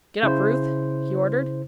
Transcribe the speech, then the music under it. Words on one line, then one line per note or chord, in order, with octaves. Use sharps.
"Get up, Ruth," he ordered.
C#3 E4 C5